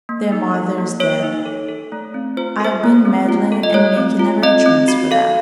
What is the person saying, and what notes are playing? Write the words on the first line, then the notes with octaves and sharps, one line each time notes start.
Their mother is dead.... I've been meddling and making arrangements for them.
A#3
D#4
A4
A#3
A#3 C#5
D#4
A4
A4
A3
C4
F4 C5
A4 C5
A3
C4
F4
A4
D#5
A3 C#5
C4
F4
C4 D#5
C4
F#4
A4 F5